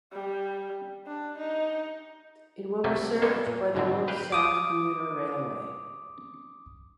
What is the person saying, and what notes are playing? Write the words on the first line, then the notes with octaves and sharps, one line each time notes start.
It will be served by the North–South Commuter Railway.
G3
D4
D#4
C3 F#3 G3 A3 A#3 F4
G3 G#3 A#3 C#4 A4
A#2
G#2 B2 D3 F#3 G3 C4
G4 B4 C5 F5 G5
D6 D#6